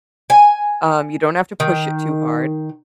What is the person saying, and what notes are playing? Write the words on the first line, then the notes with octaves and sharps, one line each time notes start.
Um, you don't have to push it too hard.
G#5
D#3